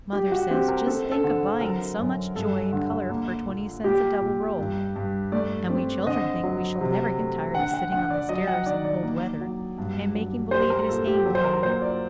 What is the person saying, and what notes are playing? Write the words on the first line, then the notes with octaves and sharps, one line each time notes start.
Mother says just think of buying so much joy and color for twenty cents a double roll; and we children think we shall never get tired of sitting on the stairs in cold weather and making believe it is haying time.
G3 G4
F#4
C4 G4
A#4
C4 A4
A4
D3
F#3 A#4
F#2
G2 A4
D3
A#3
A#2
A#2 G4
A#2
G2
G2
A3 D5
C4
D3 D#5
F#3
C3
A3
D3 F#5
F#5
D3 F#5
D5
F#3 D#5
F#5
D#3 D5
D5
A#3
F#3
G2
F#3
G3 C5
A#4
A#2 A4
G4
F#3
C5
A#4
A#2 C5
D5